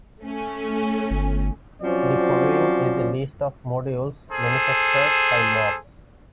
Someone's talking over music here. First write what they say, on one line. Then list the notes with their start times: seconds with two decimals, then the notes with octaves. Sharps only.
The following is a list of modules manufactured by Moog.
0.21 A3 C#4
1.11 G1
1.81 F3 F#3 C4 C#4 D5
4.32 G#4 A4 C5